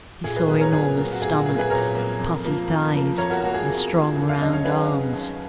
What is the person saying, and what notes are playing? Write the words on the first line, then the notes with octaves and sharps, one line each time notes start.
He saw enormous stomachs, puffy thighs, and strong round arms.
A#2 G#4
G#4 B4
F#3 A#3 G#4 B4
A#4 C#5
A#2 G#4 B4
F#3 A#3
F#4
A#2 G#4
F#4
F#3 A#3 G#4
G#4 B4
A#2 A#4 C#5
F#3 A#3
F2
F3 A#3
F2
F3 A#3
F2 A#4 C#5
F#4 A#4
F3 A#3 F#4
G#4
F2
F3 A#3
D#2
F5
C#3 F#3 D#5
C#5
D#2 G#4 B4
C#3 F#3
D#2